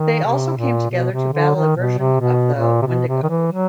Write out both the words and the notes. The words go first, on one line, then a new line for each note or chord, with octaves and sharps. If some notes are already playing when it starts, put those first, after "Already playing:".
They also came together to battle a version of the Wendigo.
Already playing: D#3
C3
A#2
B2
C3
D3
D#3
B2
C3
B2
A#2
C3
B2
C3
D#3
E3
F#3